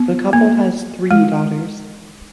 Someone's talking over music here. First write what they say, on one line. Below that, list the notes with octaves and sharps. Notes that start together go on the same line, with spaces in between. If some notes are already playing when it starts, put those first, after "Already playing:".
The couple has three daughters.
Already playing: B3
A#3
G#3